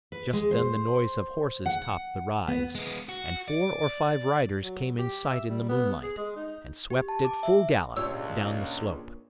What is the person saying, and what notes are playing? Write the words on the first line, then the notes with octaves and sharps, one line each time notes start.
Just then the noise of horses topped the rise, and four or five riders came in sight in the moonlight and swept at full gallop down the slope.
B4
G#3
C5
F#5
B3
G#3 B3
F#4
D5
F#3
G4
E5
G3
B3
G#4
G#3
D#4
G4
A5
D6
E5
C#2 A#2 C#4 D4 F4 G4 C#5 E6